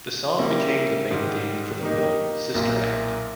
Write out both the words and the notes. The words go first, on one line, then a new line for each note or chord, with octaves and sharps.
The song became the main theme for the film, "Sister Act".
C#3 G3 A#3 E4
G#2 D#3 G3
D#3 A#3 D#4 G4
B1 A#2 A#3 E4